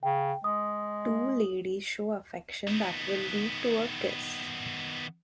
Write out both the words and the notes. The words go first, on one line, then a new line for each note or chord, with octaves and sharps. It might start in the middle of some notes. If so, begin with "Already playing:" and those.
Two ladies show affection that will lead to a kiss.
C#3 G5
G#3 D#6
D#3 B3